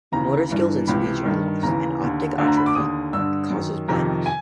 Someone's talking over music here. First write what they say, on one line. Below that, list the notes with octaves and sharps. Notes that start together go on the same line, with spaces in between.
Motor skills and speech are lost, and optic atrophy causes blindness.
D#2 C#3 E3 A#5
G2 E3
C#2 C3 E3 B5
G2 D#3
D#2 C#3 E3 A#5
D#2 D3
D2 D3 F5
A#5
B5
D6
D#2 D3 D#6
G2 D3 E6
F#2
D#3
F2 C3 D#3 A#5
G#5